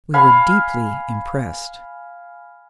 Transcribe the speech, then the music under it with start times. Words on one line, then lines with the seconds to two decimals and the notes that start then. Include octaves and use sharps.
We were deeply impressed.
0.14 F5 G#5 B5